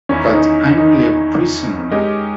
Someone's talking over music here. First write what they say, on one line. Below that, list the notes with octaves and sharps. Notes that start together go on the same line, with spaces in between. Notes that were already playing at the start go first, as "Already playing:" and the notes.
But I'm really a prisoner now.
E2 D#3 A#3 C#4 E4
D#4
D#4
G#3 C#4 G4 A#4 D#5